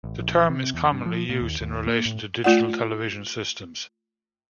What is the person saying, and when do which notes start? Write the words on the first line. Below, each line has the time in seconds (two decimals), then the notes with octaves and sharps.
The term is commonly used in relation to digital television systems.
0.04 A1
0.19 A#1
0.49 C3
0.74 E2
0.92 G2
1.06 F3
1.30 A#2
1.41 D#2
1.61 D#2
1.87 A#3
2.05 A2
2.44 A3 F4 D5 F#5